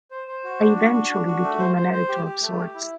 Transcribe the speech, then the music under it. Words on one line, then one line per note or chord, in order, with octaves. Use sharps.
I eventually became an editor of sorts.
C5
C5
F#4
D4
F#4
D4
D4
F#4
A3
C5
C5
C5
G4
G4
A3
G4
E4